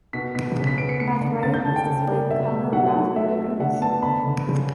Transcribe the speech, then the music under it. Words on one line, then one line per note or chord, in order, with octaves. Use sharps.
At right is displayed the color raspberry rose.
B2 B6
B2 B6
C#3
B6
B3 D7
C#7
A3 C#7
D3
D3 A6
G6
D3 A5
G5
C#3
G3
B2 E5
A3
F#3 F#5
F#3
A3 E5
A3
D3 F#5
B3 A5
D3 B5
D3
C#3